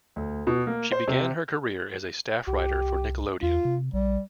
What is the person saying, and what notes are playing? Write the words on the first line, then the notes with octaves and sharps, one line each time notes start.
She began her career as a staff writer for Nickelodeon.
D2
B2
A#3
C5
C3
C2 G4
E2 F4
C3
A#1 G3